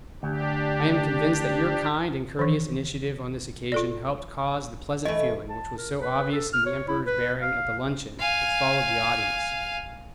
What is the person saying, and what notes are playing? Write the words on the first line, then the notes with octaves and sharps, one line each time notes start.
I am convinced that your kind and courteous initiative on this occasion helped cause the pleasant feeling which was so obvious in the Emperor's bearing at the luncheon which followed the audience.
D2 D4 G4
D#3 E3
F4 A4 D5
E3 A3 D#5
A5
A#4
B4
A4
F6
C#5
E4
B4
F5
F5 G#5